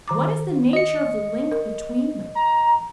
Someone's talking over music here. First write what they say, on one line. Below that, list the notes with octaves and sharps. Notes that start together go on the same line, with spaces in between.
What is the nature of the link between them?
D#3 A#5 D6
D#5 C#7
A#4
A#5